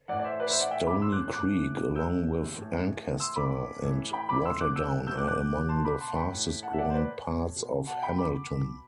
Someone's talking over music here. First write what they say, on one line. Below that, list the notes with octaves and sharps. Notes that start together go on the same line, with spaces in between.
Stoney Creek, along with Ancaster and Waterdown are among the fastest-growing parts of Hamilton.
A2 E3 D5 F#5
D5
C5 E5
B4 D5
C5 E5
D5 F#5
E5 G5
B5 D6
C6 E6
D6 F#6
A2 E3 D6 F#6
E6 G6
A2 E3
C6 E6
B5 D6
A2 E3
G5 B5
B5 D6
C6 E6
D6 F#6
E6 G6
B2 E6 G6
D6 F#6
D6 F#6
A5 C6
B5 D6
A5 C6
G5 B5
A2 E3
F#5 A5
E5
D5 F#5
C5
B4 D5
B2
F#5 A5
G5 B5
B5 D6